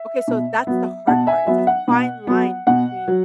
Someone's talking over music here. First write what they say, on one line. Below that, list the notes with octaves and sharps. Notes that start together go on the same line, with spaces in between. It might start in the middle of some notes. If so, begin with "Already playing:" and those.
Okay, so that's the hard part, it's a fine line between
Already playing: E5
B2
F#3 B3
B2 F#5 A5
E5 G#5
F#3 B3 E5
F#5
B2
F#3 B3
B2 F#5
F#3